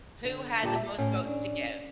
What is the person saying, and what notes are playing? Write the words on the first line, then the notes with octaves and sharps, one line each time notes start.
who had the most votes to get.
D3
A#2 G4 A5
E5
A2 C#4
D4